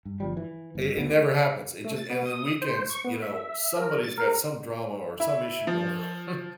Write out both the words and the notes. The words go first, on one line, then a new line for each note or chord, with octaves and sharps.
it it never happens, it just and then weekends, you know, somebody's got some drama or some issue going on.
G2
G1 F3 G3
E3
G1
D2 A#3 B3
A3
A6
B3
D#6
C5
C#6
B3
E5
A#4
A6
A#4
E4
F3